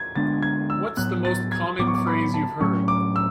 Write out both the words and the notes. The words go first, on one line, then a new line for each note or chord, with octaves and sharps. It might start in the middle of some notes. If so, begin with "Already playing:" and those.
What's the most common phrase you've heard?
Already playing: G#6
D3 G#3 B3 D4 A6
G#6
E6
A2 F#3 B3 F#6
A6
G#6
A2 F#3 B3 D6
C#6
D6
B5
A5
A2 F#3 A3 C#4 C#6
D6
E6